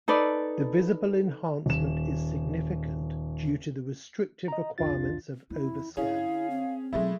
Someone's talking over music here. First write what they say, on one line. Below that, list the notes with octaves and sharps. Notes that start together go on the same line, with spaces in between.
The visible enhancement is significant due to the restrictive requirements of overscan.
D#4 A4 B4 D5
D#1 E7
D#5 A#5
C2 F2 D4 F4 A6
E2 E4
D3 C#4 E4 G#4 F5
C4
B2 F#3 G#3 A3 E4